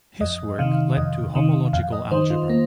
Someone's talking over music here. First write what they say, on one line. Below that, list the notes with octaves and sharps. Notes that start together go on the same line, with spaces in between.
His work led to homological algebra.
F2 D#5
C3 D#3 F5
F2 D#5
C3 D#3
F2 F5
D#5
D#3 C5
F4
A#3